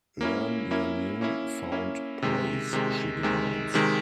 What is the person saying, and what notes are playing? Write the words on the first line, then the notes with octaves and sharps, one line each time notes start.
"Learn your new-found place," she demands.
A#3 C#4 E4
A#3 C#4 E4
A#3 C#4 E4
A#3 C#4 E4
C3 D#3 G#3
C3 D#3 G#3
C3 D#3 G#3
C3 D#3 G#3